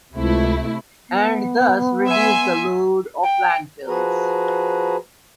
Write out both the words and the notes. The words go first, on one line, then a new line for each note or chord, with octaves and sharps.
And thus reduce the load of landfills.
C#2 C3 A3 E4
B3
E5 G#5 C6
G5
F3 F#4 G#4 B4 A#5